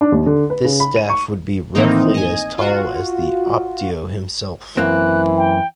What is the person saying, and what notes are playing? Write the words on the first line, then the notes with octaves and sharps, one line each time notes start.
This staff would be roughly as tall as the "optio" himself.
D4
D#2
D3
B4
C#3
B5
D#7
C#6
A2 D#3 E3 A#3 C4 D#4
D#5 G#5
F4 F#4
F#2 E3 A#3 C4 F#6
G5